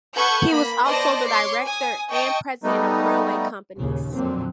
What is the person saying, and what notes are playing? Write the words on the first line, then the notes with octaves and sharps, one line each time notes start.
He was also director and president of railway companies.
A4 B4 F#5 C#6 G6 G#6
A#3 B5
B3 C5 D5 D#5 A5 A#6
C#5 C6 D6 C7 C#7
G#5 D#6
D#5 G5 A5 C#6
G3 A3 B3 D#4
D#2 A#2 C#3
F2 A#2 D3 F#3 A#3 C4